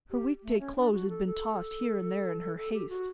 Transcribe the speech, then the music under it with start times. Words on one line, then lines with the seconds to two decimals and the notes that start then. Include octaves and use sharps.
Her week-day clothes had been tossed here and there in her haste.
0.11 G4
0.43 A3
0.60 C#4
0.76 D4
0.92 F#4
1.09 A4
1.26 A4
2.57 A4
2.73 G4
2.89 F#4